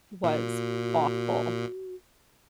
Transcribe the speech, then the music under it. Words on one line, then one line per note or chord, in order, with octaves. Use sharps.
was awful,"
A#2 F#4